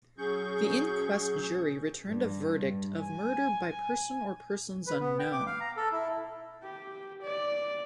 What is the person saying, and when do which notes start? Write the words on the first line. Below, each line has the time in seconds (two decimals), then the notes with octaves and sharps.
The inquest jury returned a verdict of murder by person or persons unknown.
0.18 F#3 C#4 G#4 C#6 G6
2.05 G2
3.01 G#5
4.87 B4
5.00 B3
5.19 G5
5.33 D6
5.46 F5
5.60 A#5
5.77 A4
5.92 E4
6.63 G4
7.22 D5